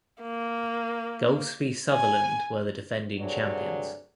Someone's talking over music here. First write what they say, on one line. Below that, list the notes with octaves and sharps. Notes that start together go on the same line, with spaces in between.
Golspie Sutherland were the defending champions.
A#3
G#5
D2 G2 C3 F#3 G#4 D5